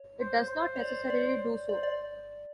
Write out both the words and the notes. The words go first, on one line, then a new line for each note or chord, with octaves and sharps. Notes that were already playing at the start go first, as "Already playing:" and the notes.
It does not necessarily do so.
Already playing: C#5
C5
C5
C#5
D5
D5
C5 D5
D5